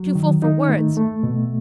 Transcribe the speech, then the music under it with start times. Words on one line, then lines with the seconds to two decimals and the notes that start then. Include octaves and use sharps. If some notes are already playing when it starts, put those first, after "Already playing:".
Too full for words.
Already playing: F#3
0.15 D#3
0.42 D#4
0.69 A3
0.97 A3
1.23 B2